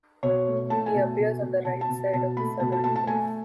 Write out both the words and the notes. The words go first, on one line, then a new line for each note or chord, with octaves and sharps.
He appears on the right side of the southern face.
B2 C#5
A3
A3 A5
G#5
B2
B2
B2
B2 A5
A5
B2
B2 A5
A3 B5
B2 A5
A5
A3 A5
A5
A3 G#5